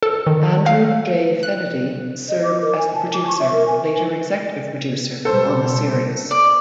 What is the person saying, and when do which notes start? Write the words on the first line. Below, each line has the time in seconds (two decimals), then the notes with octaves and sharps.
Andrew J. Fenady served as the producer, later executive producer, on the series.
0.03 A4
0.27 D#3
0.66 F5
1.43 F#6
2.29 D#5
2.44 D6
2.61 A#4
2.77 G#5
2.94 A5
3.14 D6
3.28 C#6
3.40 E5
3.52 A#4
3.67 G#5
5.25 B2 G3 A4 C5
6.31 D5